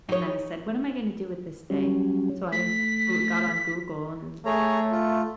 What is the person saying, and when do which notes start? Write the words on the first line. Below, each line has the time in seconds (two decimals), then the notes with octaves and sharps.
and I said, "What am I gonna do with this day?" So I Goo got on Google and
0.09 D#4 C#5
1.70 F#3 G3 C#4
2.52 A3 B6
4.46 A3 G#4 C#5 A#5
4.91 F4